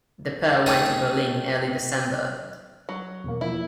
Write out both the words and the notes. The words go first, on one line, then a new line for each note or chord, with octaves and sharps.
The pair went to Berlin in early December.
D#3 A3 D#4 G#4 A4 C#5
F#3
E2 B2 A#3
B2 F3 A#3 E4